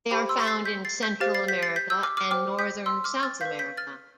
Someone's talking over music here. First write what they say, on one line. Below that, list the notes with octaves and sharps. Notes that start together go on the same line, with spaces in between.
They are found in Central America and northern South America.
G4 C5 G5 B5 D6
C6 E6
A6 C7
G6 B6
A6 C7
G6 B6
G4 C5 F5 F6 A6
A6 C7
G6 B6
A6 C7
G6 B6
E6 G6
D6 F6
D6 F6
C5 G5 D6 F6
G6 B6
C6 E6
D6 F6
F6 A6
B4 F5 G6 B6
G6 B6
F6 A6